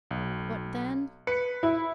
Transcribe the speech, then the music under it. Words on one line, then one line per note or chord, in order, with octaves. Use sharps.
What then?
B1
B4 C#7
E4